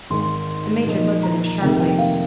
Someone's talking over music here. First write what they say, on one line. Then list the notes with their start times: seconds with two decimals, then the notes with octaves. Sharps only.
The Major looked at him sharply.
0.10 G#1 G#2 D#3 G#3 C6
0.86 A#2 F3 G#3 D#4
1.23 A#5
1.61 F1 F2 C3 D#3 A#3 G5
1.80 G5
1.99 F5